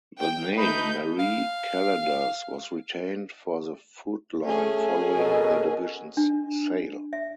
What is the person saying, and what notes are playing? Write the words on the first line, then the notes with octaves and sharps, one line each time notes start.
The name "Marie Callender's" was retained for the food line following the division's sale.
G5
A3 D#4 B4 B5 G6
F5
A3 C#4 G#4
B2 A4 A#4 D#5
D4
E5